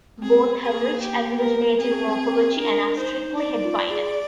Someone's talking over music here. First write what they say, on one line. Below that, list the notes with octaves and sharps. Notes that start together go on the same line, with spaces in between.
Both have rich agglutinative morphology and are strictly head-final.
C4 G#4
C4
G#4
A#3
G4
A#4
C4 G#4
D4 A#4
D#4 C5
D#4 D5
F4
G#4